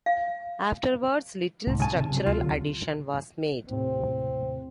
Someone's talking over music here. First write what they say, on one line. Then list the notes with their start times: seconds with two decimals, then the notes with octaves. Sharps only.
Afterwards little structural addition was made.
0.06 F5
1.67 C2 G#2
1.80 C#3 G#5 A5
1.93 C3 D#3
2.11 C3 D#3 F#3
2.26 D2 F4
2.44 D3
3.69 D#2 A2 C3 C4